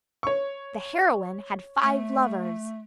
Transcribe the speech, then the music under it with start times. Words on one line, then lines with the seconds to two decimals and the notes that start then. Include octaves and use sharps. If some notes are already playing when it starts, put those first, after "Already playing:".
The heroine had five lovers.
0.23 C#5 C#6
1.82 A3